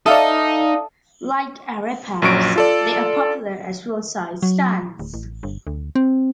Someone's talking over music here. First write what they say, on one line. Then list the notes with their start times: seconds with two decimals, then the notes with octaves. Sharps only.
Like "arepas", they are popular at roadside stands.
0.06 D#4 A4 D5 E5 F5 D#6
2.22 A#1 F#2 F#3 C#6 D7
2.56 F4 A4 D5
4.43 F#3
4.99 D1
5.14 A1
5.43 G1
5.67 D2
5.95 C4